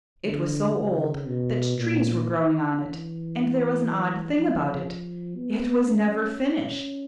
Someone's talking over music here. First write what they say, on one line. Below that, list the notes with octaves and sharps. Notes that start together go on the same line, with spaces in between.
It was so old that trees were growing on it. And there was an odd thing about it: it was never finished.
D3
C#3
B2
A#2
E3
F3
B3
C#4